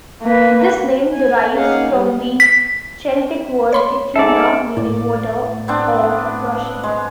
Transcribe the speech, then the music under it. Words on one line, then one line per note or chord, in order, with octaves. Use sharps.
This name derives from the Celtic word "ituna", meaning "water", or "rushing".
A#3 B4
G#5
A#3 C#4 D#4 G#4 F5 F#5
G3 B3
B6
C#5 B5 C6
G#2 A4 D5 E5
A2 D5
B3 C4 D4
G#3